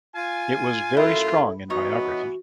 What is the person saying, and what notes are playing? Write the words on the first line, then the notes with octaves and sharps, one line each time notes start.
It was very strong in biography.
F4 G#5
F#2 A3 E4 F4 A4
E3 B3 D#4 F#4 C#5 D#5